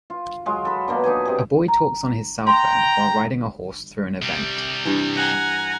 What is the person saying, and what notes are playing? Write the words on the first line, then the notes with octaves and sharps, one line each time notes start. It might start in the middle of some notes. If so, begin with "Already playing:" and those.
A boy talks on his cellphone, while riding a horse through an event.
F4
F#3 G#3 F4
A4 B5
B2 A#3 D4
D4 D#4 B4 G#5
C3 G#4
A#5
G5 A#5 C6
C3 G3
G2 E3
F#5 G#5 A#5